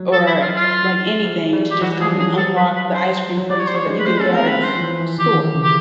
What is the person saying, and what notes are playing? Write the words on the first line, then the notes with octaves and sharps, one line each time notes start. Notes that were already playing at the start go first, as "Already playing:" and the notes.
or, like, anything to just come and unlock the ice cream for you so that you can get out of the s store.
Already playing: F#3
A4
E4
F4
F4
F3
G#3
G3
G4
E3 F#4
F3 G#4
F#3 G#4
A4
B4
B4
C5
F#3
G3 D5
C#5
G3 C5
C#5
G#3
B4
A3 C5
C#4 A4
B3
C4 A#4
C4 B4
C5
F3
E3
E3
D#3 G4
C#3
G4